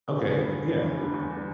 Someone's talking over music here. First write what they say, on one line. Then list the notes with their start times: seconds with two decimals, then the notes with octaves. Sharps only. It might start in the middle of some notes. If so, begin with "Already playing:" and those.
Okay. Yeah.
0.17 E2
0.33 D3 G3
0.50 E2
0.65 D3 G3
0.82 E2
0.98 D3 G3
1.14 E2
1.31 D3 G3